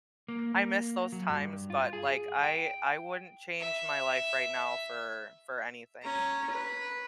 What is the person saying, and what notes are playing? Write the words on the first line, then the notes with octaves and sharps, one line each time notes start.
I miss those times, but, like, I I wouldn't change my life right now for for anything
A#3
A#3
F#3
G2
F4
G#4
G5
E5
C#4 A#5
B4